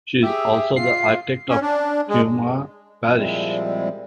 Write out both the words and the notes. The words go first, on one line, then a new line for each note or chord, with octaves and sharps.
She is also the architect of Hiiumaa Parish.
G4 G#4 E5
F4 C7
C#4
D4
G#3
A#2 F3 G3 G#3 C4 E4